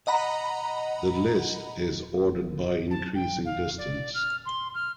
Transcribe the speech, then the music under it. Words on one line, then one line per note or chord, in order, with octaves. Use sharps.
The list is ordered by increasing distance.
D#5 F#5 A#5 B5
A5
G5
F5
D5
F6
C6
F6